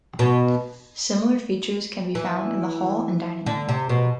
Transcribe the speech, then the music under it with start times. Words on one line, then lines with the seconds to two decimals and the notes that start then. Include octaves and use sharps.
Similar features can be found in the hall and dining room.
0.19 B2
2.15 E3
3.46 D3
3.69 C3
3.89 B2